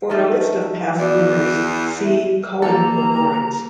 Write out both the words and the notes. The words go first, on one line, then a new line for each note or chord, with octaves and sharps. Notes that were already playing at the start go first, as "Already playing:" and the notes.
For a list of past winners, see Cohen Awards.
F3 A3 D#4 E5
E2 F#4 D5
E4
E5
E3 G3 A#3 A4 A#4 A#5